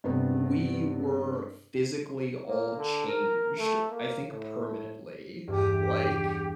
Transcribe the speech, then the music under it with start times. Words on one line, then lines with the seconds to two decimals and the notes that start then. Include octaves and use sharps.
we were physically all changed, I think permanently, like,
0.04 G2 C3 B3
2.47 A#3
2.77 D3
3.07 A#4
3.57 A3
3.90 A#3
4.29 A2
5.48 E2 G2 G4